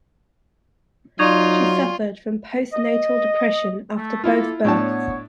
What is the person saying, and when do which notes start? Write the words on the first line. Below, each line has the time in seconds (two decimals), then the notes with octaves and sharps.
She suffered from postnatal depression after both births.
1.19 F#3 D#4 F4 D5 C#6 G#6
2.73 D#5
3.95 A3
4.24 A#3 E4 F4 A4
4.65 A2 B3 D4 C#5 A5